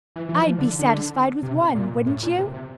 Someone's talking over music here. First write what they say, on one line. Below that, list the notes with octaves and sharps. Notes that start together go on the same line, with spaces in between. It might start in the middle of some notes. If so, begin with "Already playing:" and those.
I'd be satisfied with one, wouldn't you?
E3
E3
F3
D3
D3
C3
A#2
A2
A#2
C3
C3